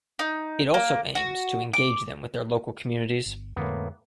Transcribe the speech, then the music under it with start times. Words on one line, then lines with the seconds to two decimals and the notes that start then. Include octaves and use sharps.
It also aims to engage them with their local communities.
0.19 D#4
0.74 A#3
1.15 F#4
1.73 D6
3.26 G1
3.56 F2 A2 D3 G#3 A#3 B3